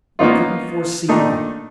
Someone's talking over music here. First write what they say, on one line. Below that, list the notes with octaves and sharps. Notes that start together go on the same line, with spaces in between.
We couldn't foresee that.
A#3 B3 C#4 D#4 F4
A#2 D#3 A3 D4 D#4